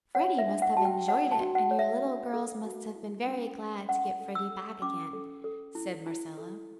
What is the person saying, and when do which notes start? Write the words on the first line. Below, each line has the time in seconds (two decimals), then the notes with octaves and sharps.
"Freddy must have enjoyed it and your little girls must have been very glad to get Freddy back again!" said Marcella.
0.15 C#5 F#5
0.38 E5
0.46 D4
0.62 F#5
0.77 F#4 A5
0.85 G5
1.08 C#5 F#5
1.32 A5
1.40 F#4
1.55 F#5
1.71 C#5
1.79 E5
2.02 D4
2.33 A4
2.64 F#4
2.96 E4
3.27 C#4
3.57 C#4
3.89 C#4 F#5
4.20 A4
4.35 E6
4.51 A4
4.82 C#4 D6
5.13 A4
5.44 A4
5.75 E4
6.06 E4
6.38 A4